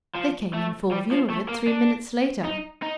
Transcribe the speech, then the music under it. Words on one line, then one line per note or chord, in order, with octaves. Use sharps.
They came in full view of it three minutes later.
F3
A3
G3
F3
A3
A#3
D4
D#4
D#4